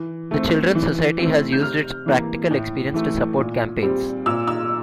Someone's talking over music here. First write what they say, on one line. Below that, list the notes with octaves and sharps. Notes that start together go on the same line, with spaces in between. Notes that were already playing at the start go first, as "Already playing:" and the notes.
The Children's Society has used its practical experience to support campaigns.
Already playing: E3
A3 C4
E3
A3 C4
G6
C3 F6
E3 A#3
A2
E3 A3
A#2
G3 C4
A#2 E6
E6